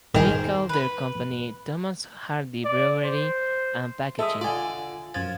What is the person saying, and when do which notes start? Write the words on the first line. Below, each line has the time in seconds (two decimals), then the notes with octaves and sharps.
They called their company Thomas Hardy Brewery and Packaging.
0.15 D#3 G#4 A#4 C5
0.69 B4 B5
2.64 D5
3.05 C5
4.19 G#3 A4 E5 D#6
4.41 D3 F4 D5 G#5
5.14 F#2 F3 G#6 A6